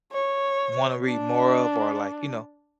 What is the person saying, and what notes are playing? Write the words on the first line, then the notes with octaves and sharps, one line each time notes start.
wa wanna read more of or, like, you know.
C#5
D4